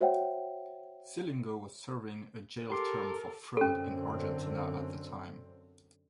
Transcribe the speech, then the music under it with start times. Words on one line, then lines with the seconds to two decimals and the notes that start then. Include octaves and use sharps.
Scilingo was serving a jail term for fraud in Argentina at the time.
0.01 F#4 C5 C#5 E5 F#5 G5
2.70 G4 A4 A#4 C6 D6
3.57 F#2 D3 C4 C#4 A4